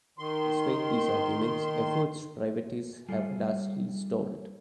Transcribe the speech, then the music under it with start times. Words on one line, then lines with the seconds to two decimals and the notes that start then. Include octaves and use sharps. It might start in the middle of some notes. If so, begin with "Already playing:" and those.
Despite these arguments, efforts to privatize have largely stalled.
0.18 D#3 C6
3.09 G3 F4 G#4 A4